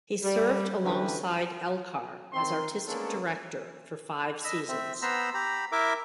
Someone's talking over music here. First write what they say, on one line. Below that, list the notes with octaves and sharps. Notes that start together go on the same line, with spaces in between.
He served alongside Elcar as artistic director for five seasons.
G3
D3 E3 C4 C#4 G4 B4
D#3 C4 C6
G#3 A#3 B3 C#4 D4 A4
D#5 B5 E6
C4 E5
B3 C5 A#5 B5 E6
G4 A#5 B5
E4 A#4 E5 D6